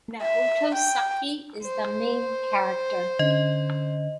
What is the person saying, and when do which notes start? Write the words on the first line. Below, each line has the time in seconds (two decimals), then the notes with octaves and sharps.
Naoto Saki is the main character.
0.23 E5
0.75 G5
1.62 C5
3.19 D3 C#4 D#5